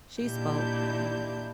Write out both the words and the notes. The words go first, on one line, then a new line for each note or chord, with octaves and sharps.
she spoke and
A#2 D#3 D4 E4 G4 G6